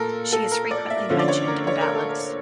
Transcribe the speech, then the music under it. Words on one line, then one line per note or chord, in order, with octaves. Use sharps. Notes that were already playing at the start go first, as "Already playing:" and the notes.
She is frequently mentioned in ballads.
Already playing: A#2 A4 A#4
A4
A#4
D5
E5
D3 F3 C#4
D5
C#5
A#4
C#5
A#4
A4
A#4